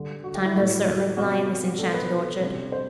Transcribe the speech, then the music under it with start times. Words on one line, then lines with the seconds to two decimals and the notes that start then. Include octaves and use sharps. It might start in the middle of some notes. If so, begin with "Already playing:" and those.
Time does certainly fly in this enchanted orchard.
Already playing: D3 G3 D4
0.24 F#4
0.35 G4
0.45 E4
0.55 A2 F#3 A3 F#4
1.17 C3 F#3 B3 F#4
1.79 B2 A3 D4 A4
1.94 B4
2.40 C3 G3 D4
2.72 C5